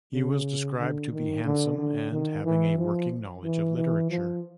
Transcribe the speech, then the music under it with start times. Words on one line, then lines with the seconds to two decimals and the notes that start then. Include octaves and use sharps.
He was described to be handsome and having a working knowledge of literature.
0.13 C#3
0.79 D3
1.12 D#3
1.45 D3
1.78 D3
2.12 D#3
2.45 E3
2.78 F3
3.44 E3
3.77 E3
4.10 F3